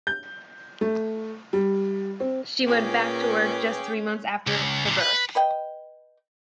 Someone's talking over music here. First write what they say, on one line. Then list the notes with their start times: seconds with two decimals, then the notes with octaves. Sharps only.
She went back to work just three months after the birth.
0.07 G6
0.81 A3
1.53 G3
2.20 C4
2.67 A#2 C#4 G#4 B4 G5 D6
4.47 C#2
4.86 A#2 D3
4.99 B4
5.35 B4 D#5 G5